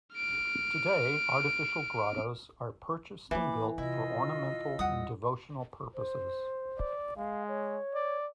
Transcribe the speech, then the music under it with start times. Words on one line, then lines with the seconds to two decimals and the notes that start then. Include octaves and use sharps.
Today, artificial grottoes are purchased and built for ornamental and devotional purposes.
0.15 F6 D7
3.31 E3 A#3 E4 B5 D6
3.78 C3 E4 F4 D#5 E6
4.79 E2 G3 F#5 D#6
5.95 C5
6.78 D5
7.17 G#3 F5
7.48 C#5
7.94 D5